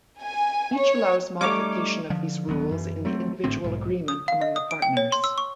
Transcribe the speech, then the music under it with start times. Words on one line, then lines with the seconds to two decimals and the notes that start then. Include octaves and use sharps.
Each allows modification of these rules in the individual agreement among the partners.
0.22 G#5
0.77 C#5
1.41 G3 A3 C#4 D#4 C#5 D6
2.10 D3 F3
2.47 D#1 D#3 F#3 B3
2.71 F#2 E3
3.05 F#3 A3 C4
3.44 G#1 A2 D3 C4
3.64 B1 G#2
4.08 D#6
4.28 F5
4.41 D#5
4.56 D#6
4.71 D7
4.82 G5
4.97 C#5
5.12 C6
5.24 E6
5.38 C#6